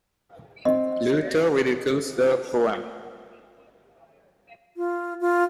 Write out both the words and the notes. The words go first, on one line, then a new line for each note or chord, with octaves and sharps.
Luthor ridicules the poem.
C4 D#5
F4
F4